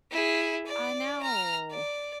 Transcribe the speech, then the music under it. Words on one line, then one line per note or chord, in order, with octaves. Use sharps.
I know.
E4 G#4
D5
A#5 F6
D5